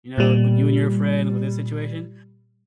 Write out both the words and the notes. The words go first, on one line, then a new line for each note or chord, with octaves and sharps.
You know, with you and your friend, with this situation,
A#2 G3